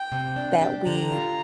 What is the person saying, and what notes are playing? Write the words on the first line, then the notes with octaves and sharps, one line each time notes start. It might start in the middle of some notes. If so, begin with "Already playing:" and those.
that we
Already playing: G5
C3
D4
G4
D3 A#5
F4